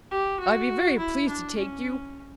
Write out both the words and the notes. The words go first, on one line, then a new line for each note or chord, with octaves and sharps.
"I'll be very pleased to take you."
G4
F#4
E4
D4
C#4